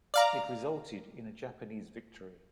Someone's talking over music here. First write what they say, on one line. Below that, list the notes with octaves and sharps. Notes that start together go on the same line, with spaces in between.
It resulted in a Japanese victory.
D5 F5 A#5